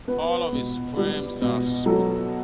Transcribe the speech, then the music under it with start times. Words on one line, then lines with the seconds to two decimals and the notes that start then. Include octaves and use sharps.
All of his poems are spoken.
0.08 B3 B4
0.52 B2
0.97 G3
1.42 B2
1.86 F#3 A4